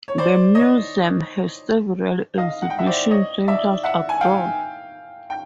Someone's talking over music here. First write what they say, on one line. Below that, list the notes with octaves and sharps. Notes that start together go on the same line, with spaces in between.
The museum has several exhibition centers abroad.
C#5
C5 D5
C#5 D#5
D#5 F5
F#5
G5
E5 F#5
C5 D5
C#5 D#5
D5 E5
E5 F#5
G#5
F5 G5
G5